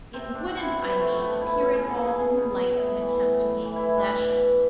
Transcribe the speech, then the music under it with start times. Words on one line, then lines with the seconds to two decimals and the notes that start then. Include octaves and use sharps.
It wouldn't, I mean, appear at all in the light of an attempt to gain possession.
0.13 C3 C4
0.35 D4
0.45 F3
0.57 E4
0.77 C3 B3
0.99 A3
1.10 F3
1.20 B3
1.41 B2 E4
1.74 B2 G#4
1.90 A4
2.05 B2 G#4
2.38 B2
2.70 A2
3.01 E3
3.33 A2
3.65 E3
3.76 E4
3.97 B2 D4
4.29 B2